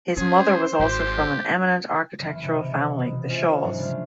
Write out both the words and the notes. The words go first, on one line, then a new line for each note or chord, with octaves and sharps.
His mother was also from an eminent architectural family, the Shaws.
C#4 G#4 C5
G#1 G4
F#1 E3
G#1 C3 C#7
B2
C3 A3 C#4 F4 C5
G#2 F3 F#3 G#3
C#3 G3 A3 D4 F4